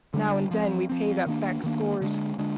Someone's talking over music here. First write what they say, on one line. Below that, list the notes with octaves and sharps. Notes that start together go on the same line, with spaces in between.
Now and then we paid up back scores.
D3 G3 D4
F3 C4
F3 C4
D#3 A#3 D4
D#3 A#3 D4
D3 G#3 D4
D3 G#3 D4